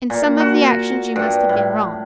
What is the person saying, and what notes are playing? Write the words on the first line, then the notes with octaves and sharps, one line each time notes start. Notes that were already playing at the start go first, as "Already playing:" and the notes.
In some of the actions you must have been wrong.
A#2
F#4
G2
A2